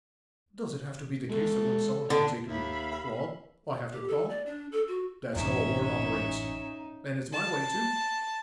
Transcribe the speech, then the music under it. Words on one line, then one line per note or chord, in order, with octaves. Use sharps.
Does it have to be the case that when someone can say to me "Crawl" I have to crawl? That's how a worm operates--and it's my way, too.
G#3 B3 A4
D3 B3 F#5
D#2 E5 F5 B5
G4
A4
D5
D4
A4
F#4
A1 F#2 C#4 D#4 E5
A5